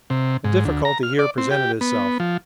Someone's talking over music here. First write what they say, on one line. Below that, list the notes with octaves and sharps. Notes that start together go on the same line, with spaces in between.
A difficulty here presented itself.
C3
G#2
D2
A#5
F6
D5
C4
G4
B3
F3